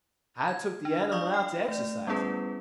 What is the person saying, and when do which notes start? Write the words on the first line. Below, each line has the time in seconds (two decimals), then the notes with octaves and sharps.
I took the animal out to exercise him.
0.48 G#6
0.85 D4
1.12 D5 F5 C#6 D#6
1.34 G5
1.68 A3 D5
2.07 G3 B3 C#4 E4 G#4 B4